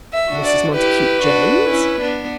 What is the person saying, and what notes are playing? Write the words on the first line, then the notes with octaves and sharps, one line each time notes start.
"Mrs. Montacute Jones."
E5
D4 F#4
D5
E4 G4 B4
D4 F#4
C#4 E4
B3 D4